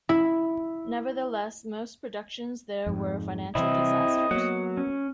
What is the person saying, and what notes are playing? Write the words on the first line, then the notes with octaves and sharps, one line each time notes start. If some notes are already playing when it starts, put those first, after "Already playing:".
Nevertheless, most productions there were financial disasters.
E4
F2 G#2
C3 E3 G3 C4 E4 D#5
F#3 A#3 B3 F#5
C#4